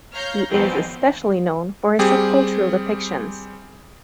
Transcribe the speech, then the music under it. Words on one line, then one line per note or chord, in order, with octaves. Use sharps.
He is especially known for his subcultural depictions.
C#5 F5 A#5 F6 G6
E2 G#2 B2 D#3 F3 C4
G3 C4 G4 G#4